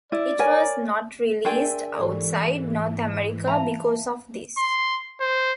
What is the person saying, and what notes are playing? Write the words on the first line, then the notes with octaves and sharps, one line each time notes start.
It was not released outside North America because of this.
E4 D5
A#4 C#5 G#5
D4 G#4 A#4 E5 G5 C6
G#2 E3 G4 A4 D5
E5 F5 A5 A#5
C6
C5